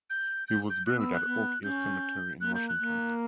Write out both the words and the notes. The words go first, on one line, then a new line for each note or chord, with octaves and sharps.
He was buried at Oak Hill Cemetery in Washington.
G6
G6
G6
B3 F#6
E6
F#6
B3
C#4 G6
A#3 F#6
G6
F#6
A#3